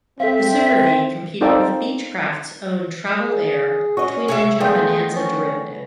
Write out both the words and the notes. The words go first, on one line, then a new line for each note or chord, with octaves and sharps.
The Super-V competed with Beechcraft's own Travel Air twin-engine Bonanza derivative.
C4 A4 E5 F5
C4 D#4 F4 A4 D5 G5
G#4
C#4 F#4 D#5 C#6
C3 G#4 C#5 E5
F3 G#3 A3 B3 D4 G5 G6
C#4